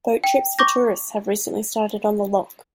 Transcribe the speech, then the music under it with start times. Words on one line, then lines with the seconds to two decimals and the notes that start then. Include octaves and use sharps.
Boat trips for tourists have recently started on the loch.
0.24 G5
0.59 C#6 D6 G6 A#6